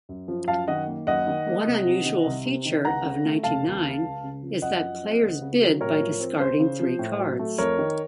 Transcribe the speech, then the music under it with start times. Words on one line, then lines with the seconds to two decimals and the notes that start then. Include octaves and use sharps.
One unusual feature of ninety-nine is that players bid by discarding three cards.
0.09 F#2
0.28 F3
0.48 F#2 F5 A5
0.68 D#3 D#5 F#5
0.87 A#3
1.07 F#2 D#5 F#5
1.27 D#3
1.47 A#3
1.66 C2
1.87 C3
2.05 D#3
2.26 C2
2.45 C3
2.65 D#3
2.85 C#2 F#5 A#5
3.04 C#3
3.25 A3
3.44 F1 F5 A5
3.64 D#2
3.83 C#3
4.03 C#2
4.23 C#3
4.43 F3
4.62 F#2 D#5 F#5
4.82 F3
5.02 C4
5.21 C#2
5.41 C#3
5.62 F#3
5.81 A2 A#4 C#5
6.01 F3
6.20 C4
6.40 C#2 C5
6.60 C#3
6.80 F3
6.99 A2
7.19 F#3
7.39 A3
7.58 F2 A#4 C#5
7.79 D#3